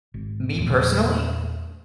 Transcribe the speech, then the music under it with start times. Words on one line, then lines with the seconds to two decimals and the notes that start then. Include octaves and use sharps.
me, personally?
0.14 G#1
0.59 E2 A#2 F3 A3